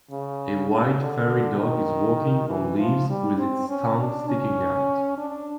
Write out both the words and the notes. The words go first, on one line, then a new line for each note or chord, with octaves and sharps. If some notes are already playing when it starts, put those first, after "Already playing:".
A white furry dog is walking on leaves with its tongue sticking out.
C#3
C#3
D3
D#3
E3
F3
G3
C4
C#4
D4
C#4
D4